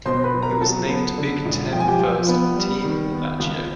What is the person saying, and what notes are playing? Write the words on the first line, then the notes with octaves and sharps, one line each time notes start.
He was named Big Ten First Team that year.
B2 C5 C6
B4 B5
F#3
A#4 A#5
F#3 A4 A5
B3
D3
E1
F3 G5
G#5
G4 G5
F3
B3
G3
D#3
B3
C#2